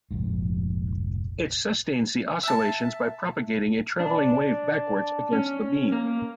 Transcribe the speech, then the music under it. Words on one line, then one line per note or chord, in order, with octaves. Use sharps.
It sustains the oscillations by propagating a traveling wave backwards against the beam.
F1 A#1 G#2
E5 A5
D4
C#4
A#3